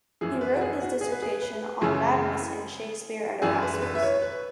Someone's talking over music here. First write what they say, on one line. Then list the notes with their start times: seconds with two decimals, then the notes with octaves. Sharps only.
He wrote his dissertation on madness in Shakespeare and Erasmus.
0.21 F#2 E3 G#4
0.41 B4
0.56 F#4
0.61 G#4
0.82 F#4
1.01 G#4
1.12 B4
1.22 G#4
1.42 B4
1.81 F#2 C#3 E3 G#4
3.42 F#2 E3 G#4
3.63 B4
3.82 B4
3.95 E5
4.02 C#5
4.22 B4